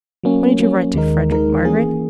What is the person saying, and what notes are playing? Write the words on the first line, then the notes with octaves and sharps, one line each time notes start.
'When did you write to Frederick, Margaret?
F#3 A#3 C#4
F#3 A#3 C#4
D#2 D#3 G#3 D#4 A#4
D#2 D#3 G#3 D#4 A#4
E3 A#3 C#4 G#4